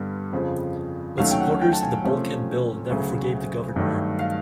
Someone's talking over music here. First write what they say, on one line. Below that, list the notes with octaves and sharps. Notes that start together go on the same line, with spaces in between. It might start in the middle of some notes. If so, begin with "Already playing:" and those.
But, supporters of the Bulkhead Bill never forgave the governor.
Already playing: G2 D3 G3 B3
F2 C#3 F3
D#2 D#3 F#3 A3 C#4 F5
G5
F#5
G5
A5
G#5
C3 F3 A3 C#4
D2 C#3 F#3
G2 D#3 F#3 A3
F5